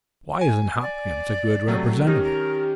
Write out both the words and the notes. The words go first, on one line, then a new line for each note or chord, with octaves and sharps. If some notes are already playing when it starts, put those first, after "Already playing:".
"Why isn't Hopkins a good Representative?"
G#5
D5
C3 F#3 A3
D#3 C#4 D#4 G4 F6
A#4